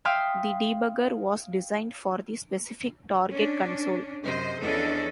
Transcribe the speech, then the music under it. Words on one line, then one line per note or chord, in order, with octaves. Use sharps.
The debugger was designed for the specific target console.
E5 F5 G5 C6 D#6 F6
C#4 D4
F#2 C3 C5 D#5
E2 F3 C#4 D4 A4 D#5